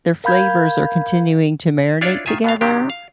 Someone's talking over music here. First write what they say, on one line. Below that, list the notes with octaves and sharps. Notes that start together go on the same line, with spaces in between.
their flavors are continuing to marinate together,
A#4 F5 B5 G6 G#6
D4 E4 F4 C#5 D5
D#3 F4 E5 G#5
B2 B3 F5
C3 D#3 F#3 D4 G4
F5